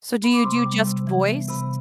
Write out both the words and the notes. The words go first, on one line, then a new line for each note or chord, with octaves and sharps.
So, do you do just voice?
B3 B5
D6
C3 C6
D6
G3
C3
E3
B3
C3 B5